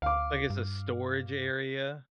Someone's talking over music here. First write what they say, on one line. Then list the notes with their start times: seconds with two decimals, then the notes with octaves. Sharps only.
Like, it's a storage area.
0.02 D2 F5 D6
0.50 G2